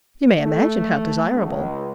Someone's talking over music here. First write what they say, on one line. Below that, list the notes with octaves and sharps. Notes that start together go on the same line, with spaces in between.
You may imagine how desirable!
A3
C#2